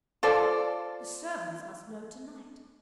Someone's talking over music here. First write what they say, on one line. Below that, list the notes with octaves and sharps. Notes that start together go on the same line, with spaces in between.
The servants must know to-night.
F4 A4 C5 D5